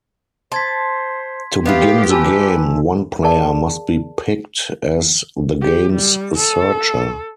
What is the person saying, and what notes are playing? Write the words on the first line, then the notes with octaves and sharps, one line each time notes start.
To begin the game, one player must be picked as the game's "searcher".
C5 A5 C6 G#6 B6
B3 E4 F4 G4 F5
B4 G#5 A5 E6
G#4 A#4 D5 F5 A5
G4
G3
A4